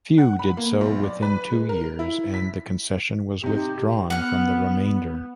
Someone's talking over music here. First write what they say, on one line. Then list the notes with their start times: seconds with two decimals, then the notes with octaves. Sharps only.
Few did so within two years and the concession was withdrawn from the remainder.
0.18 F#5
0.39 B5
0.57 A#3
0.81 B1
1.03 D5
1.22 B4
1.52 G#3
1.69 A#4
1.99 E4
2.34 B6
3.43 C3 D#4 G4
4.10 B3 F#5 F6